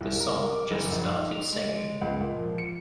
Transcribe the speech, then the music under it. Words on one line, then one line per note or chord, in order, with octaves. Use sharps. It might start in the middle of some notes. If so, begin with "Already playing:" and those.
The song just started singing.
C2
A#4
D6
F#1
A#1
D#4
F7
G#3
C#2
A#2
F3
C#7